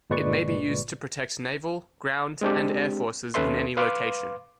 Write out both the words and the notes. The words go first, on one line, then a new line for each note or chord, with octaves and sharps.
It may be used to protect naval, ground, and air forces in any location.
G1 A#2 G#3 B4 D5 C#6
G#3 C4 D4 G4
D#2 C#4 A4 B4 E5 C6
B4 F5 C6 D6